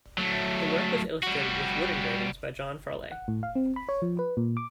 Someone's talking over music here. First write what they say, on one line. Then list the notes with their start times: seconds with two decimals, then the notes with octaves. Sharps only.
The work was illustrated with wood-engravings by John Farleigh.
0.18 F#3 A3
1.23 G3 F#4
3.12 F#5
3.28 A2
3.43 F5
3.55 C4
3.76 B5
3.89 C#5
4.02 F3
4.19 B4
4.37 A#2
4.57 D6